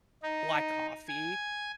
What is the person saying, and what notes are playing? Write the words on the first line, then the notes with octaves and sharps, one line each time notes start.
black coffee,
D#4
G#5